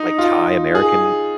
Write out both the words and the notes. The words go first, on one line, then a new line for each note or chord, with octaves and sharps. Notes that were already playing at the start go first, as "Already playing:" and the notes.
like, Thai-American
Already playing: D#4
F4
G#4